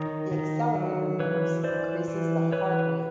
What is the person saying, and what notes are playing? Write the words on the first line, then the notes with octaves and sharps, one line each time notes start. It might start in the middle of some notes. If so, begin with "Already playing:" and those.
The accelerator nerves increases the heart rate.
Already playing: D#3 C#5 D#5
D#3
F#3
E3 B4 C#5
E3 C5 D5
E3
E3 B4 C#5